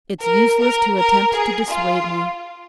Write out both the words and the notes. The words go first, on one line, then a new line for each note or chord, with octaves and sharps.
'It's useless to attempt to dissuade me.'
A#4
A#4
A#4
G#4
F4